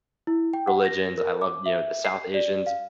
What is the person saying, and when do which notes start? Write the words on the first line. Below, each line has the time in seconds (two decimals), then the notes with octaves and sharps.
religions, I love, you know, the South Asians,
0.27 E4
0.54 G5
0.67 F#5
0.85 A#6
1.18 A#4
1.42 D6
1.66 E5
2.05 C7
2.34 D5
2.67 F5